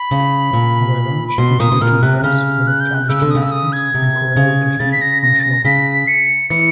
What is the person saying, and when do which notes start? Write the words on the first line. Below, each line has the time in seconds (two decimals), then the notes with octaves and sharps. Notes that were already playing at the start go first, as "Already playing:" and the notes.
However, she continued to impress with her stylish gymnastics and choreography on floor.
Already playing: B5
0.11 C#3
0.53 A#2
1.28 B5
1.38 B2 C6
1.60 A#2 D#6
1.72 B2
1.81 A#2 F6
2.02 C3 F#6
2.19 F#6
2.23 C#3 F6
2.67 F#6
2.80 G6
2.94 F#6
3.09 C#3 E6
3.22 D3
3.31 C#3 D#6
3.42 E6
3.52 D#6
3.73 G#6
3.95 C3
4.36 C#3
4.79 C#3 A6
4.92 B6
5.01 A#6
5.22 A#6
5.39 A6
5.43 A#6
5.65 C#3 B6
6.08 C#7
6.50 E3 C#7